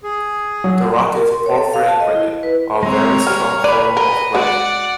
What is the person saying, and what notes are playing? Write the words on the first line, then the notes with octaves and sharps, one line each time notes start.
The rock is porphyritic granite, a very strong form of granite.
G#4
F#3
A#4
C6
C#5
A4
F5
A5
D#5
E4
B4
G#3 C4 C#5 A#5
G3 F6
B4 D5 B5
A#4 D#5
G#3 F#4 D5 F#5